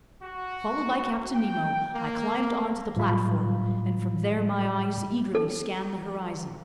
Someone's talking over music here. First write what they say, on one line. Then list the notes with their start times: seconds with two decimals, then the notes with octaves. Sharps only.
Followed by Captain Nemo, I climbed onto the platform, and from there my eyes eagerly scanned the horizon.
0.23 F#4
1.34 G5
1.94 A#3
2.96 A2 F#3 G3 F4 F5 B5
5.35 A4